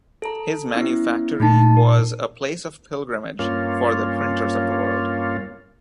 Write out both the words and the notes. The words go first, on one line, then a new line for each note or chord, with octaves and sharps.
His manufactory was a place of pilgrimage for the printers of the world.
A4 A#5
B3 C#4 E4
A#2 A3 D#4 A5
A#4
G2 A#3 C#4 F4